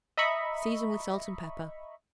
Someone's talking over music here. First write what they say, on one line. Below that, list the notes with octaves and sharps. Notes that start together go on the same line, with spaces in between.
Season with salt and pepper.
D#5 E5 A#5 B5 C#6